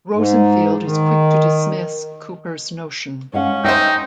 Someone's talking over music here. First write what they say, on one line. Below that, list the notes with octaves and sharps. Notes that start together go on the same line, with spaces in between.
Rosenfield is quick to dismiss Cooper's notion.
G#2
D#3
G#3 C#4 F5 F#5
D#4 C5 D#5 E5 G5